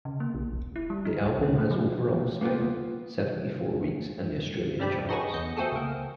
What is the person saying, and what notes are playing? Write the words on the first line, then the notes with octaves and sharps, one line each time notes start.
The album has overall spent seventy-four weeks in the Australian charts.
C#3
A#3
B1
D#1
E4
G3
D#4
C#2
C#4
A3
F#3
A#3 B3 F4 B4 G5
G2 G3 C4 D4 G5 B5
D#4 F#4 G#4 A4 B4 C#5
E2 D#5 G6 C#7
A3 C4 F#4 G#4 A4
C#2 A#3